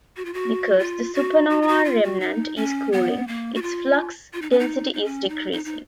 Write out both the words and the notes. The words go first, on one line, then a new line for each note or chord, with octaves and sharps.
Because the supernova remnant is cooling, its flux density is decreasing.
F#4
F4
F#4
F4
F#4
F#4
F4
F#4
F4
F#4
D#4
C#4
B3
A#3
F#4
F4
F4
D#4
C#4
D#4
D#4
C#4
D#4
D#4
D#4